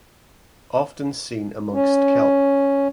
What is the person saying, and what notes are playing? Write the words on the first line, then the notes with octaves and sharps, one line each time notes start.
Often seen amongst kelp.
C#4